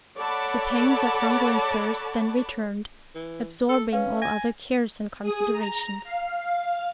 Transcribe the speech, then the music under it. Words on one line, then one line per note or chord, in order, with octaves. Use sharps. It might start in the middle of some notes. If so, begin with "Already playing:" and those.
The pangs of hunger and thirst then returned, absorbing all other cares and considerations.
A4 C#5 D5 F#5 A5 B5
E3
A4
C#4 B4 F5
G#5 A#6
G#4 D#6
A#5
F5